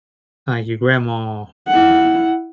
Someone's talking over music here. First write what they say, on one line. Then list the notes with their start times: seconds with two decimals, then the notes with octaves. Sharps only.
Uh, your grandma
1.68 E4 F#5